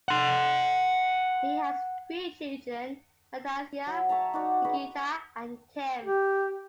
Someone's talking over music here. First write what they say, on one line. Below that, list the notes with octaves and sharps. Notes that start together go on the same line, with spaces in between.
He has three children; Anastasia, Nikita and Tim.
F#5 C6
F#3
C#5 E5 A5 A#5
D#4 F#4 D5
F#4 G#4 B4
G4